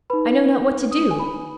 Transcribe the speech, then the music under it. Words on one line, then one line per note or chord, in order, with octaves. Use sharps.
I know not what to do.
D#4 B4 B5
D#6
G#5
B5